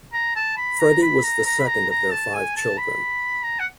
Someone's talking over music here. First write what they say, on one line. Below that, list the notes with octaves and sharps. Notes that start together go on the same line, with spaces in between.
Fredi was the second of their five children.
A#5
A5
B5
A#5
B5
A#5
A#5
B5
A#5
A#5
A5
G#5
A5
B5
A#5
F#5